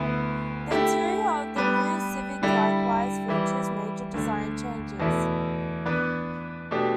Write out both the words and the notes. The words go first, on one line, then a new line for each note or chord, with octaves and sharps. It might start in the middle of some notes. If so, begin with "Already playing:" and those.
The interior of the new Civic likewise features major design changes.
Already playing: D2 D3 B3 E4
D3 A3 E4 G4
G3 B3 D4 B4
D3 G3 E4 A4 E5
E3 G3 E4
D2 D3 A3
E2 B2 A3 E4
E3 B3 D4 B4
B2 A3 D4 G4